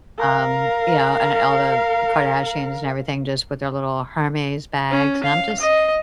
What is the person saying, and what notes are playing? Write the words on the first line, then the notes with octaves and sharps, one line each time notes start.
Um, you know, and all the Kardashians and everything just with their little Hermes bags and I'm just
A#4 F5
C#4
F5
D#5